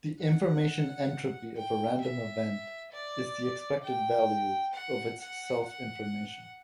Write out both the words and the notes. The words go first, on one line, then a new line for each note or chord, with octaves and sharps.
The information entropy of a random event is the expected value of its self-information.
F#5
G5
E5
D5
G5
F#5
F#5
F#5